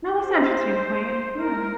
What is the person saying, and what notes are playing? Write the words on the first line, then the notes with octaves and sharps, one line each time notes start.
Now that's an interesting point, yeah.
C5
A#4